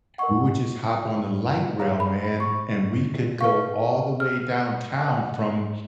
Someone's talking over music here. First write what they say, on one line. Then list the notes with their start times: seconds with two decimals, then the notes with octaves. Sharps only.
we would just hop on the Light Rail, man, and we could go all the way downtown from
0.18 A#4 D#5 F#5 C#6
1.80 G#4 C#5 F5 A#5
2.00 B5
2.20 B5
2.40 C#6
3.41 B4 F5 C#6
4.20 F6
5.01 A#4 D#5 F#5